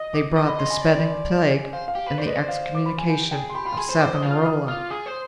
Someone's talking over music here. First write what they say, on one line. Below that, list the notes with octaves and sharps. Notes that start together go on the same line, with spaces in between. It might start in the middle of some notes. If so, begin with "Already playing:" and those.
They brought the spreading Plague and the Excommunication of Savonarola.
Already playing: D#5 D#6
D6
D#5 D6
B5
C6
G#5
D5
C5 F5
F5
G4
B4
C5 D5
B4 D#5
C5 D5
F5
D6
B5
G#5
G4 G#5
G#4 G5
C6
G4 B5
F4 B5
C6
G#4 B5
C5 C6
C5 D6
D#6
F4
F6
D#6
F4 F6
G#4 D#6
C5